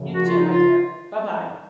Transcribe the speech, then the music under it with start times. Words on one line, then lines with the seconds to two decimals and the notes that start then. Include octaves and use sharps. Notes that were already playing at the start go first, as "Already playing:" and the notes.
You, too, my dear. Bye bye.
Already playing: F#2 C#3 F3
0.12 F#4
0.24 F4
0.36 D#4
0.48 F4